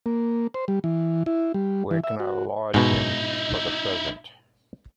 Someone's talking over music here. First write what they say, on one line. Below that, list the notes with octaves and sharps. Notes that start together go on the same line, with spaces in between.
Where can I lodge him for the present?
A#3
C5
G3
E3
E4
G3
E3
E5
F#4
G#2 B2 D#4 E4